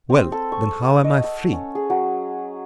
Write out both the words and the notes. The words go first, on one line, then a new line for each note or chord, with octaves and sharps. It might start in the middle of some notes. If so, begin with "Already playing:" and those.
"Well, then, how am I free?"
C4
A4
C#6
F#5
D#5
E6
C#4
G#4
F#3